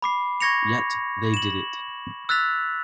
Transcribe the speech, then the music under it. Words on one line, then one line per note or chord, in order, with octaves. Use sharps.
Yet, they did it.
B5 D6 C7
C#6 G#6 A#6 C#7 F7
E7 F#7
E6 F#6 A6 B6 F7